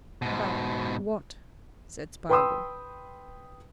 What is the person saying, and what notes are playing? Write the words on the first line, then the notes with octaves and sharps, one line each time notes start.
"About--what?" said Spargo.
G#2 B2
B4 G5 B5 C6 D#6 E6